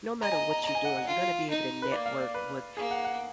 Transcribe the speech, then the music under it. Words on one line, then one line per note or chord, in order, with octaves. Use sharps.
No matter what you're doing, you're gonna be able to network with
D#5 A#5
G#5
A#5
A#5
D#5 A#5
G#5
F#5
F#5
F4
D#4
B4
A#3 D5
F5
D5
B4
A#3 G#4
F#5
F#5